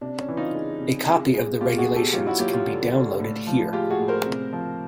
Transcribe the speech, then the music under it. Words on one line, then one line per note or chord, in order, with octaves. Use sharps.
A copy of the regulations can be downloaded here.
C3 D4
C#4
E3
D#4 F4
G#3
C3
G#3
G#3
B2 F4 G4
F#4 G#4
B2
G4 A4
F#3 F4 G4
E4 F#4
F#3 F4 G4
F4 G4
D3
D3
A2
F3
G#3 F4 G4
F#4 G#4
A2
A#4 C5
C3
F3